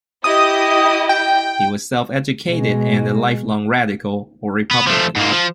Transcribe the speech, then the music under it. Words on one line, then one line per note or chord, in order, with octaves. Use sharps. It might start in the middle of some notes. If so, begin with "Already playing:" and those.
He was self-educated and a lifelong "Radical" or Republican.
E4 G4 D#5 D#6
G5
B2 G#3
B3
F3 A3
G#2 A#3
F3